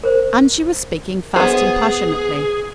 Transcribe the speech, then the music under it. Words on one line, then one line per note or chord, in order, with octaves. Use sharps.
And she was speaking fast and passionately.
A#4 C5
B3 G#4 C5